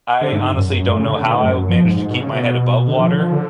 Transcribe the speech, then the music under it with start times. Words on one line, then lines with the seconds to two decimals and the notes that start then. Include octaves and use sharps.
I honestly don't know how I managed to keep my head above water,
0.21 D3
0.32 G#2
0.55 F#2
0.66 F#2
0.77 F#2
0.88 A2
0.99 C#3
1.10 D3
1.22 B2
1.33 A2
1.43 F#2
1.55 F#2
1.69 F3
1.85 G#2
1.99 G#2
2.11 B2
2.21 C#3
2.32 B2
2.88 D3
2.99 F3
3.11 D3
3.21 F3
3.32 D3